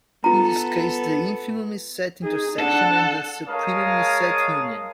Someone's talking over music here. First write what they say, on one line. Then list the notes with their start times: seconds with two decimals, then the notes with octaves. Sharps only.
In this case, the infimum is set intersection, and the supremum is set union.
0.24 B3 F4 A4 A#5
2.23 D#4 G#4
2.59 D4 A4 F#5
3.48 G#3 A#4 C#5 F5 A5 D#6